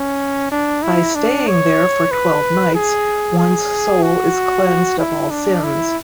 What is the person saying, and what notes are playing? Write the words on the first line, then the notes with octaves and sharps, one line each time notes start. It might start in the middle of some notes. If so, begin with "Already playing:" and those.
By staying there for twelve nights, one's soul is cleansed of all sins.
Already playing: C#4
D4
E4
D4
C#5
B4
G#4
G#4
F#4
E4
D4
E4